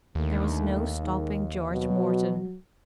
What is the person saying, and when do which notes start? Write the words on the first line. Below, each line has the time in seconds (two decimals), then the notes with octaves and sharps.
There was no stopping George Morton.
0.15 D#2 D3 D#3 A3
1.00 D#3 G#3
1.72 B2 F#3